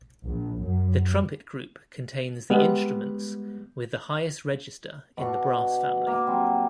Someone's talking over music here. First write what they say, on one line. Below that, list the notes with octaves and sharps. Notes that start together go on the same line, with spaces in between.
The trumpet group contains the instruments with the highest register in the brass family.
A#1
F#2
G3 G#3 B3
B2 D4 C#6
A#3
F#3 G3 C4